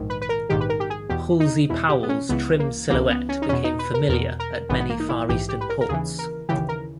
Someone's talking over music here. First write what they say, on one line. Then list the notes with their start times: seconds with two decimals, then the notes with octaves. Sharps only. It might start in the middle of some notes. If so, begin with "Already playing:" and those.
"Halsey Powell"s trim silhouette became familiar at many far eastern ports.
Already playing: A#1 G#2 D#3
0.10 B4
0.22 B4
0.29 A#4
0.49 A#1 G#2 D#3 G4
0.61 B4
0.70 A#4
0.80 G4
0.90 G#4
1.09 E2 B2 G4
1.40 D#4
1.69 E2 B2 E4
1.89 G4
2.03 B3
2.09 C#4
2.29 C#2 C#3 E3 B3
2.59 A#3
2.90 C#2 C#3 E3 A#3
3.10 B3
3.29 C#4
3.42 D#4
3.49 E2 B2 C#4
3.64 D#4
3.79 B4
3.94 A#4
4.09 E2 B2 A#4
4.40 A#4
4.69 A#1 G#2 E3 B3
4.80 B3
4.90 A#3
5.00 D#4
5.09 E4
5.29 A#1 G#2 E3 G4
5.49 G4
5.61 B4
5.69 A#4
5.81 A#4
5.89 D#2 C#3 E3 G#4
6.19 A#4
6.49 D#2 C#3 E3 G4
6.69 A#4